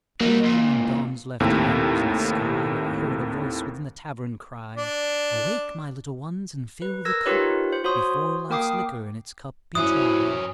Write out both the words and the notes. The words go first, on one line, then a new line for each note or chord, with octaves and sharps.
Dreaming when Dawn's Left Hand was in the Sky I heard a Voice within the Tavern cry, "Awake, my Little ones, and fill the Cup Before Life's Liquor in its Cup be dry."
F#3 A#3 D#4
C#2 A#2
D#2 A2 C3
D4
B4
A#4 E6 G#6 A#6
D#4 F4 G4 A#4 B4 C#5
C5
F#4 C5 C#5 C6 D#6
A#3 A#4 G5 D6 D#6 C7
G2 C#4 E4 F#4 C5 D#6